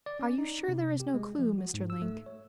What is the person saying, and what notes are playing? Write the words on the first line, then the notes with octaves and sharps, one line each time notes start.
"Are you sure there is no clue, Mr. Link?"
D5
C#4
D#4
C3
G4
G#3
F3
F#4
G#2
E6
A3
C#5